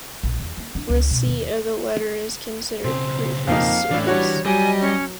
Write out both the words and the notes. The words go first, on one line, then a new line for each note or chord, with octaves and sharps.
Receipt of the letter is considered proof of service.
A#1
E2
A#3
D4
C#2
B2
D#2
B1 C#3 C4
F2 A#3 D#4 F5
A2 E3 D4
G3 D4 F#4 C#5
F#3 G3 D#5 G#5
C#4